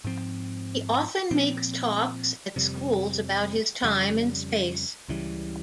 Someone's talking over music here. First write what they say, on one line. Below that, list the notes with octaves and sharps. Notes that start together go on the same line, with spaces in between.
He often makes talks at schools about his time in space.
G#2 F3 C4
A#2 F3 C4
F2 C3 G3
F2 C#3 G3
C#2 C#3 E3 G3